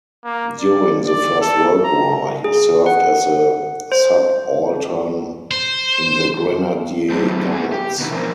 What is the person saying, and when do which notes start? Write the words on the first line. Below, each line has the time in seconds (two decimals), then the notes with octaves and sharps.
During the First World War he served as a subaltern in the Grenadier Guards.
0.25 A#3
0.60 D5
1.06 D5
1.41 A4
1.84 A#5
2.44 G#4
2.86 F#5
3.92 C5
5.51 C5
7.10 F#3 A3 C4
7.51 E4 G#4
7.72 G4
7.99 B2 D#3 E4
8.12 E3 F3 B3 D4 A#4 C5